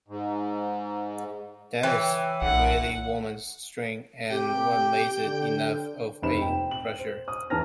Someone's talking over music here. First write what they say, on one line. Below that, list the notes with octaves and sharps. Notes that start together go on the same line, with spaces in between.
That's really 'Women's' strength, and what makes it enough of a pleasure.
G#2
E3 C#5 G5
B1 F#5
C3 G4 G5
D3
F1 D#2 C5 B5 E7
G5
F#7
C5
D#6
E2 E3 A5 A#5 F6 A#6